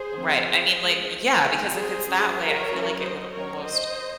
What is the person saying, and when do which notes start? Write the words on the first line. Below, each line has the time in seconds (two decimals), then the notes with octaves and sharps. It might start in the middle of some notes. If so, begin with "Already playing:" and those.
Right, I mean, like eh, yeah, because if it's that way, I feel like it would almost
Already playing: G#4 C5
0.17 F3 C4
0.49 G#4 C5
0.81 F3 G#3 C#4
1.44 D#3 G#3 C4
1.75 G#4 C5
2.07 F#3 C#4
2.38 A#4 C#5
2.70 F#3 C#4
3.02 C5 D#5
3.33 F#3 C#4 A#4 C#5
3.65 C5 D#5